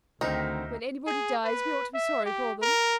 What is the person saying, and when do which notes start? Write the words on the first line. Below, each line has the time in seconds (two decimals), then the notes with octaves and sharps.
When anybody dies we ought to be sorry for them.
0.21 D2 D3 D#3 C4 D#4 A#4 E5 G5
1.07 G#4
1.45 B4
1.94 E5
2.26 G4
2.62 A#4